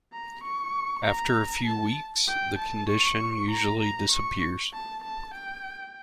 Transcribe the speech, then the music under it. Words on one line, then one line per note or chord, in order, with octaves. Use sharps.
After a few weeks, the condition usually disappears.
A#5
C#6
A#5
A5
G5
A5
C#6
A#5
A#5
C#6
A5
A5
G5